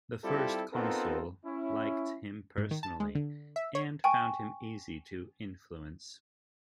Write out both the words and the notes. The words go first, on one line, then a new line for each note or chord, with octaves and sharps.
The First Consul liked him personally, and found him easy to influence.
G3 C4 E4 F4 G4 A4
B3 C4 D#4 F4 A4 A#4
C#4 E4
G#2
D#3
A5
G#3
D3
E5
C#5
G5 G#5 C#6